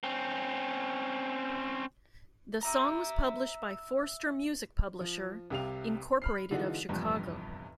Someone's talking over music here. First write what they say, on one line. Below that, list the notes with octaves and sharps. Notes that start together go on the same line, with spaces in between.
The song was published by Forster Music Publisher, Incorporated of Chicago.
C4 C#4
E5 A#5
F3
C2 C3 G4 F5 F7
B5 F6 C7
D3 E3 G#3 D#4 F4 F#4
F1 A#1 E2 G2